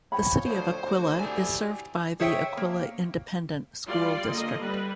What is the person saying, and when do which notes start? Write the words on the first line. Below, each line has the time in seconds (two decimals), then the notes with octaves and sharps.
The City of Aquilla is served by the Aquilla Independent School District.
0.12 F3 C#5 G5 B5
0.46 D2 C5
0.86 D2 D#4 F#4 D6
1.19 E4 G4 D5 G#5
2.20 G#4 C5 C#5 E5 F#5 G5
2.57 A#3
3.87 G3 F4 D5 C6
4.32 D3 A#3 D#5
4.62 G3 B4